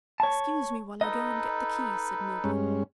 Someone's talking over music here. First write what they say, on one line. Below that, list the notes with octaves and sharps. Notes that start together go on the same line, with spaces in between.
"Excuse me while I go and get the key," said Milburgh.
C#5 A5
D#4 A4 B4 D#5
G2 G#3 C#4